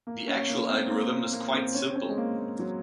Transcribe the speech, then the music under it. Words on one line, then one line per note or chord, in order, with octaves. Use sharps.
The actual algorithm is quite simple.
A#3
C#4
A#3
C4
A#3
A#3
C4
C#4
C4
C#4
G#3
A#3
A#3
F#3